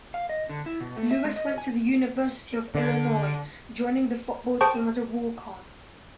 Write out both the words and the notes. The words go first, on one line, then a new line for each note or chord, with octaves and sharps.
Lewis went to the University of Illinois, joining the football team as a walk-on.
F5
D#5
D3
E4
B2
A3
E5
G#3
D#5
G#5
D3
G#4 C5 G5 A5 C#6